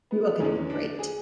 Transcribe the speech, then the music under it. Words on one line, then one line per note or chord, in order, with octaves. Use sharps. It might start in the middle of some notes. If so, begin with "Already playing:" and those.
You are going to be great.
B3
E2 D3 C#4
D4
G#4